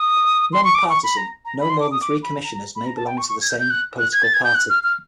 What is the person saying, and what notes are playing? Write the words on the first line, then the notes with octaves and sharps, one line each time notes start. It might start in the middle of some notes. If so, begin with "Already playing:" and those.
Non-partisan, no more than three Commissioners may belong to the same political party.
Already playing: D#6
C6
C#6
D6
C#6
B5
A#5
A#5
B5
C6
D6
D#6
D6
B5
A#5
A#5
B5
A#5
A5
G5
C#6
C#6
G#6
G6
G6
F#6
F#6
G#6
A6
G#6
G6
F#6
F6
F6